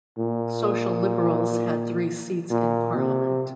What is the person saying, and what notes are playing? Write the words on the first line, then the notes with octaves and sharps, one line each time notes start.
Social-liberals had three seats in Parliament.
A#2
A#2
C3